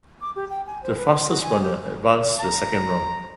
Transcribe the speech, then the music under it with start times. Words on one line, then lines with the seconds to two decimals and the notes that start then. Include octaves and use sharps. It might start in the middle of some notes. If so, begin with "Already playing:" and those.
The fastest runner advanced to the second round.
0.21 D6
0.36 G4
0.50 G5
0.67 G#5
0.83 C5
0.98 B4
1.12 C6
1.29 F#4
1.42 G#5
1.63 G4
2.40 A#5